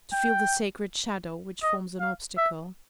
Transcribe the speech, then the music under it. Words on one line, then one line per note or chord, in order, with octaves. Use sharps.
To feel the sacred shadow which forms an obstacle!
G5
D#5
F5
E5